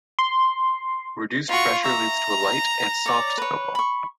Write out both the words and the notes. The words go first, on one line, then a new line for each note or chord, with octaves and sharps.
Reduced pressure leads to a light and soft snowball.
C6
D#4 F4 F#4 C#6
E5 A#5 C#6
C#5 D5
B4 C#5
B5 C#6